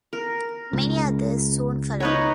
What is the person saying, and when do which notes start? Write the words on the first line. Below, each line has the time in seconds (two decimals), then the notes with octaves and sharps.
Many others soon followed.
0.13 A#4
0.73 C#2
2.00 D#4 B4 C#5